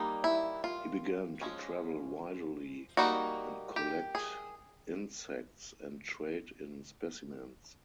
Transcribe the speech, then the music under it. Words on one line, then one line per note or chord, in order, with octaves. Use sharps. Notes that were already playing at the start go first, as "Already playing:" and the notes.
He began to travel widely and collect insects and trade in specimens.
Already playing: G3 A#3 D#4
E4
F4
F3 G#3 C#4
G3 A#3 D#4 F#4
G4
G#4